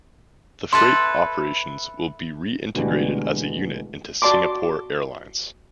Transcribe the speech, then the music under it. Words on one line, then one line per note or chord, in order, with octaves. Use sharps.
The freight operations will be reintegrated as a unit into Singapore Airlines.
E4 A4 B4 C6
D2 B2 D3 E3 G3 G#3
F#4 D5 A5 C6 D6